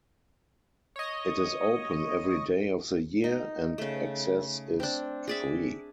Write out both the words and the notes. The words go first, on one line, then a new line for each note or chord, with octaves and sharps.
It is open every day of the year and access is free.
C#5 D#5
D#4
C#3 A3
C4 D4
G#4 D5 E5